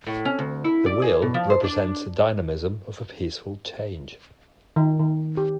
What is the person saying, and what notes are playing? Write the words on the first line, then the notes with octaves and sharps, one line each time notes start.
The wheel represents the dynamism of a peaceful change.
A2
C#4
D2
E4
D5
G#4
B2
F3
C5
D4
D#3
D#3
G4